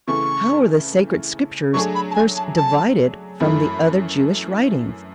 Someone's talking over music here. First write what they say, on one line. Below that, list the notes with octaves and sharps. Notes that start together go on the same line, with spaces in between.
How were the sacred Scriptures first divided from the other Jewish writings?
C#3 E3 A3 C#6
F#3 A3 D4 G#4 C#6
B5
A5
G#5
A5
A5
F#2 E3 A3 E4 B5